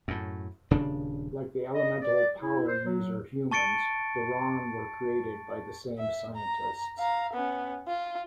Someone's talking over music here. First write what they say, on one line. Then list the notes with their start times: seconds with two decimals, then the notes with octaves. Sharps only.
Like the elemental power user humans, the Ron were created by the same scientists.
0.08 F#2 A2
0.71 D#1 C#3 D4
1.74 D#5
2.01 D5
2.39 E4
2.68 C5
2.85 F#3
3.51 A5 C#6 A6 C#7 D7
5.98 E5
6.36 A#5
6.99 F5 A#5
7.33 B3 C#4
7.88 F4